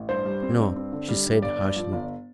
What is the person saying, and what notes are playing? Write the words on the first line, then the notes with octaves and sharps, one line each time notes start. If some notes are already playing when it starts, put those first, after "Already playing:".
"No!" she said harshly.
Already playing: A1
G2 C5
G3
C4
G2
C4
D3
G3
G2
G1 D5
G2
F3
G1